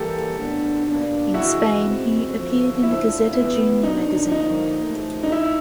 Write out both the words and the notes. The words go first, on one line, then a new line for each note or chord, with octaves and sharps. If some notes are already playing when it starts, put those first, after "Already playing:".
In Spain, he appeared in the “Gaceta Junior” magazine.
Already playing: E3 G3 A#3 G4 A4
A2 F#3 B3 D4
B2 G3 A#3 D4
G1 F2 C#3 E3 G#3 E4 F#4
C#3 F3 G#3 C4
F#1 F2 D3 F3
D2 C#3 F3 E4
C#3 E3 G3 B3 E4
B2 F#3 A#3 D4 D#4
D3 F3 A#3 D#4
A1 G#2 F3 A3
D#4
E4